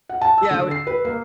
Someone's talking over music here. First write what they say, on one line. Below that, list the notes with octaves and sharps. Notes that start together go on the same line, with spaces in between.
Yeah, we
F#5
A5
E6
D3
C7
B4
A#3